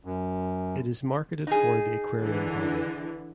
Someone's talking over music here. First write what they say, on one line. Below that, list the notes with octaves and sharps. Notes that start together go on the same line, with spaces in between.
It is marketed for the aquarium hobby.
F#2
D#4 G#4
D3 E3